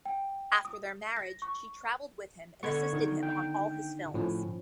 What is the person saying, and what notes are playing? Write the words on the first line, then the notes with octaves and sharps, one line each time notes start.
After their marriage she traveled with him and assisted him on all his films.
G5
D#6
A#6
C#6
D3 B3 C#6 G#6
D#3
G5
A2 F3 C#4